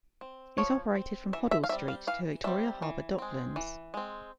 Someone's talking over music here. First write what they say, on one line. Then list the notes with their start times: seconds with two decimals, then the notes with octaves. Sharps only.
It operated from Hoddle Street to Victoria Harbour Docklands.
0.21 C4
0.58 F3 C#5
0.95 C4
1.33 E3 E5
1.51 E5
1.64 F5
1.69 G3 C4 E5
1.88 F5
2.07 E3 F5
2.44 G3 C4 E5
2.82 E3
3.18 G#3 C4
3.56 E3
3.94 G#3 C4